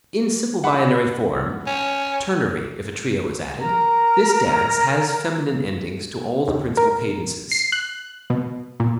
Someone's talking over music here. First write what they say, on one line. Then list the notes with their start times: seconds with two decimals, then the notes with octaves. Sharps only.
In simple binary form--ternary if a trio is added--this dance has feminine endings to all the principal cadences.
0.64 F#5 B5
1.67 C#4
3.62 A#4 A#5
6.48 D#2
6.77 A#4
7.52 C7
7.72 F#6
8.30 B2
8.80 A#2